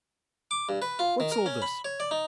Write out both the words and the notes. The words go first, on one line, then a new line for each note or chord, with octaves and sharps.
'What's all this?
D6
G2
B4
F4
D#3
A#4
C#4
B5
C#5
D5
D#4